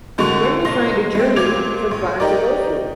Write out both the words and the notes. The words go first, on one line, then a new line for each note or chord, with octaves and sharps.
Then we find a journey for Bond to go through.
F2 D3 G#3 A#3 F#4 C#6
B1 C6 A#6
G#3 A3 C4
A#2 C5 D6 G#6 F7
A#1
D#4 G4 A#4 D5